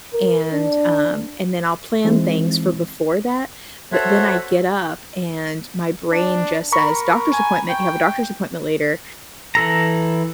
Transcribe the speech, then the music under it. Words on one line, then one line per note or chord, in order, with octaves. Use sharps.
and, um and then I'll plan things for before that, but then I get up and my brain just says, "Doctor's appointment, you have a doctor's appointment later,"
A#4
D4
E3 G#3 C4 D#4 E4
F#4 A4 C5 C#5 E5 F#5
D4
A#4 A#5 B5 C#6
G#5
G5
E3 A4 A#5